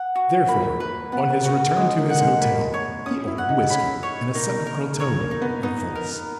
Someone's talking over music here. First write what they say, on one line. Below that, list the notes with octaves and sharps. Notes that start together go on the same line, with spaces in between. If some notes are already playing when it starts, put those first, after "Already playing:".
Therefore, on his return to his hotel, he ordered whiskey, in a sepulchral tone of voice.
Already playing: F#5
F#4
A#3 B5
B4
B3 F#5
F#4
G#3 D#6
A#3
F#5
G#3
A#3 B5
C#5
C#4 D#6
E4
F#5
D#4
C#4 B5
C#5
A#3 D#4
A#4
C#5
A#3
D#4
B3
B3 D#4
A#4